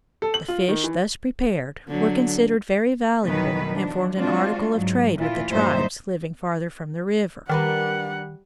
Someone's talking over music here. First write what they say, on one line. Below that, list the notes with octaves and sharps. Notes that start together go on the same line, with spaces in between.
The fish thus prepared were considered very valuable and formed an article of trade with the tribes living farther from the river.
A4
F#7
F4
D#3
E3
D3 F#3
F2 B2 D#3 E3 F#3 B4
F3 D4
G#3 C4 D4 F4 F#4
G#2 F#3
A#2 E3 E4 F4
G2 A#2 F#3 D#4 C5 E5
D#3 G3 D4 A#4 B4 F#5